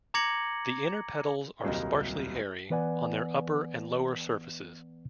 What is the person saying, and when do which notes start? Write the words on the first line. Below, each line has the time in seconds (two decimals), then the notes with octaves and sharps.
The inner petals are sparsely hairy on their upper and lower surfaces.
0.14 A#5 D6 G#6 A#6 C#7 F#7
1.63 D#1 C2 F#3 A#3 D#5
2.70 E3 B3 B4 D5 F#5 G#5